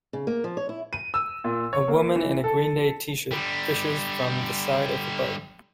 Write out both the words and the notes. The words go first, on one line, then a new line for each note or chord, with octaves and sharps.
A woman in a Green Day tshirt fishes from the side of a boat.
C#3
A#3
F3
C#5
E4
D#7
E6
A#2
C#5
A#3
E3
A4
D3 G3